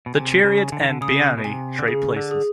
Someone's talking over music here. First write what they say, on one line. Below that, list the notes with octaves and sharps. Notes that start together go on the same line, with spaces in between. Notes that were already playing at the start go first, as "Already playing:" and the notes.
"The Chariot" and "Beanni" trade places.
B2
C3 G#5
C#3
G#5
D3
D#3
D3
C#3 D#6
B2
C3 G#5
D3
C#3 G#4
D3
G#4